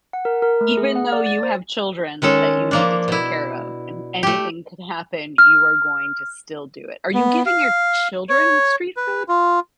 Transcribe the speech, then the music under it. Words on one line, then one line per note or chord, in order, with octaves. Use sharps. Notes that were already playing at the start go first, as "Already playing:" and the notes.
Even though you have children that you need to take care of, and anything could happen, you are going to still do it. Are you giving your children street food?
F#5
A#4
A#4
A3
G#4
F#5
D5
A6
C5
D#3 G#3 C#4 A4
F3 A#3 D4
B2 E4
A3 G4
F6
B3
F5
C#5
B4
F4